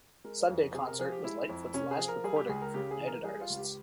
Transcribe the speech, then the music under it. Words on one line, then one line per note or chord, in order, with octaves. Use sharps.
"Sunday Concert" was Lightfoot's last recording for United Artists.
G#3 A#4
F2
C3 G#4
A#4
F3 G#4
G4
G#3 E4
F2
C3 C#4
G#4
F3
A#4
G3 G#4
G4
C#2 G#4
A#4
C#3 G4
G#4
E3
A#4
G3 G#4
F4
C#2
G4